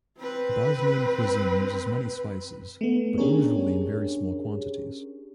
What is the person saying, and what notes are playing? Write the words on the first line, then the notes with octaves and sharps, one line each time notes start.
Bosnian cuisine uses many spices, but usually in very small quantities.
C4 B4
A3 B3
C#4 D4 G4 G#4 A#4 C#5